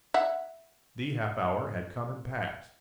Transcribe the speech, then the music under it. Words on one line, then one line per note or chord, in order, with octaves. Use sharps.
The half-hour had come and passed.
E5 F#5